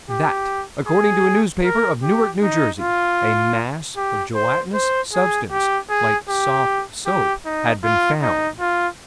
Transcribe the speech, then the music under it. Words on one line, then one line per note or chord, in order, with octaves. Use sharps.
That, according to a newspaper, of Newark, N.J., a mass of gelatinous substance, like soft soap, had been found.
G4
G#4
A#4
G4
D#4
F4
G4
C5
C5
G#4
G4
G#4
G4
G4
D#4
F4
D#4
F4